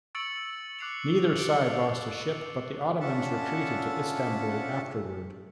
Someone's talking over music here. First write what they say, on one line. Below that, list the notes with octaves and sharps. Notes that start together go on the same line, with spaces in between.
Neither side lost a ship, but the Ottomans retreated to Istanbul afterward.
C#6 E6 A6 C#7 D7 F#7
D6 F#6 C7 C#7 F7 F#7
D6 D7 G7
C#4 D4 F4 E5 F#5 A5